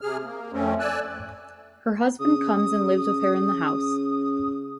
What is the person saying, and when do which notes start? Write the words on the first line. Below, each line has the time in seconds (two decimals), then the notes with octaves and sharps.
Her husband comes and lives with her in the house.
0.01 C3 G#4 F6
0.25 A#3
0.52 F2 A3 C4 C#4
0.80 D5 G#5 E6 F#6
2.20 C#3 D#6